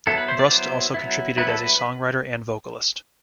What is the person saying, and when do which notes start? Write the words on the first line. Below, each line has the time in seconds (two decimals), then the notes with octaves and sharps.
Brust also contributed as a songwriter and vocalist.
0.07 F#3 B3 E4 A4
0.18 B4
0.28 C5
0.39 D5
0.51 F#3 B3 E4 C5
0.94 F#3 B3 E4
1.37 F#3 B3 E4 B4
1.48 A4
1.59 B4